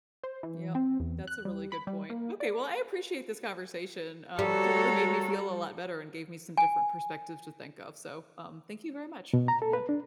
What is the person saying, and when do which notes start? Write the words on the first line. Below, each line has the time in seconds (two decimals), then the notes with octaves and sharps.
Yep. That's a really good point. Okay. Well, I appreciate this conversation. Um, you really made me feel a lot better, and gave me some different perspectives to think of. So, um, thank you very much. Yeah.
0.24 C5
0.43 E3
0.75 C4
1.00 E2
1.27 F#6
1.45 G3
1.72 B5
1.87 G3
2.10 A#3
2.40 D5
4.39 G3 F#4 A4 A#4 C#5 A#5
6.58 G#5
9.33 B2
9.48 A#5
9.62 A4
9.73 B4
9.89 D4